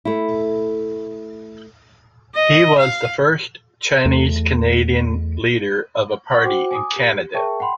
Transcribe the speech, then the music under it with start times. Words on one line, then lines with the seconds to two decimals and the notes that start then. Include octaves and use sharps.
He was the first Chinese Canadian leader of a party in Canada.
0.05 A3 E4
2.35 D#5
2.79 F5
4.05 E2 A3
6.31 F#5 C#6
6.44 F#4 C5 F#5 G5 D6
6.71 G#5 D6 D#6
6.96 G4
7.34 G#4 A#4 E5 G5 A5 C#6
7.60 F#5 G5 B5 C6